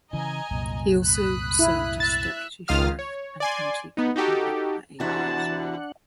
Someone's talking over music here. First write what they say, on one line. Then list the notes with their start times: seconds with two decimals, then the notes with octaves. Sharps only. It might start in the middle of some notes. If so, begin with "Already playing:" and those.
He also served as deputy sheriff and county court bailiff for eight years.
0.13 C#3 E3 D#5 G#5 A#5
0.51 C2 F#2 A#2
1.05 B5 D#6 F#6
1.59 E4
2.00 E5 E6 F#6 A6
2.68 C#2 D#3 F4 F5 D#6 F6
2.99 C#5
3.40 D5 G#5 C6
3.97 B3 D#4
4.16 D#4 F#4 G4 A4
5.00 E2 C3 D4 E4 F#4 F#5 A5